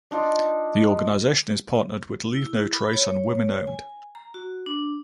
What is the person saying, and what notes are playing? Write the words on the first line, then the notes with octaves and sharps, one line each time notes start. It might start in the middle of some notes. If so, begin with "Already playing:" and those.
The organization is partnered with Leave No Trace and Women Owned.
D4 D#4 F4 D#5
E4
B5
C#5
G#5
A#5
F#4
D4